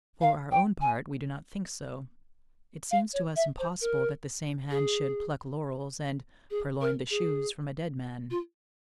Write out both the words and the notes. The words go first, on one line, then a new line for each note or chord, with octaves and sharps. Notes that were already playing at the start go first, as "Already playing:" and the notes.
For our own part, we do not think so; it seems to us impossible that the same hand should pluck laurels and purloin the shoes from a dead man.
F5
G5
G#5
F5
C#5
E5
C5
A#4
G#4
G#4
A#4
G#4
F4